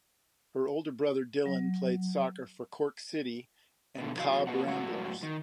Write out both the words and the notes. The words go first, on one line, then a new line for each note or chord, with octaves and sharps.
Her older brother Dylan played soccer for Cork City and Cobh Ramblers.
F#3
B2 D3
E2 F#3 F#4 F5
A#3 F#4 B4 D#5 F#5
F#2 A2 G#3 F#4 F#5
D#3